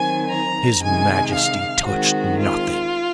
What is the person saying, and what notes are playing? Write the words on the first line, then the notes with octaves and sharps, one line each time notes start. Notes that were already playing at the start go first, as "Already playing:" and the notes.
His Majesty touched nothing.
Already playing: D#3 F#3 C4 G#5
A#5
C3 D#3 G#3 G#5
F5
D#3 G#3 C4 F#4
F4